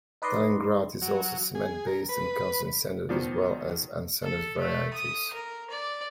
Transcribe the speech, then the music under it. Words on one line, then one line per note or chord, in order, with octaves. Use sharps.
Tiling grout is also cement-based, and comes in sanded as well as unsanded varieties.
D#4 B4 D5 D#5 C6
F#3
G#4
A#4
B4
B2 D#3 F3 D5
A4
A3
D#6
A#4
D5